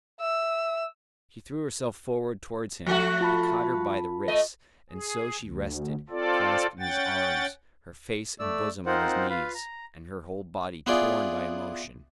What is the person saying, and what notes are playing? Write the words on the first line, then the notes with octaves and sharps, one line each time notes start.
She threw herself forward towards him, he caught her by the wrists, and so she rested, clasped in his arms, her face and bosom on his knees, and her whole body torn by emotion.
E5 E6
F3 A3 F#4
F4 A5 B5
A3 D#5
G#4
D2
C4 F4 A4 D5
C#4 F#5 G5 A6
A3 D5 E6
C4 D#4 F4 A#4 C5 F#5
F4 B4 F5
A#5
B3 E4 F4 G#4 D5